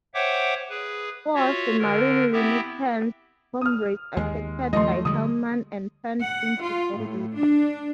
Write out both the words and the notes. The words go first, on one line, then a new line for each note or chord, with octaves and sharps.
Four of the marine lieutenant's comrades are captured by Hellman and turned into zombies.
C5 C#5 E5 F#5 G5 D6
G#4 B4
F4 F#4 C#5 E5
D3 A#4
B3 C4 E4 G4 E5
D#6 F6
D#2 G#3
D#2 C#3 F3 A3 D#5 C6
D3 G3 G#3 D#6
F#5
F4
A2
D4